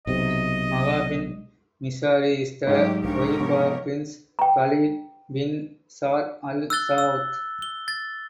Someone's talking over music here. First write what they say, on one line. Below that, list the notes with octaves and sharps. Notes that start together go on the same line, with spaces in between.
Maha bint Mishari is the wife of Prince Khaled bin Saad Al Saud.
B1 C3 D#5
G#2 F#3 A3 D#4 G4
B1 F3 D4 G4 A#4 C#5
C3 F3 B3
G5 A#5
E6 F#6 A6 G7
E6
G7
A6